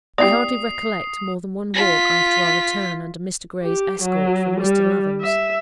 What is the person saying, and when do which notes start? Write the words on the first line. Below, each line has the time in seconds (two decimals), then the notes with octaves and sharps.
I hardly recollect more than one walk after our return under Mr. Gray's escort from Mr. Lathom's.
0.18 B3 E4 G4 D5 D#6 C7
1.74 F4 B6
3.63 G4
4.03 F#3
4.60 G3
5.21 E5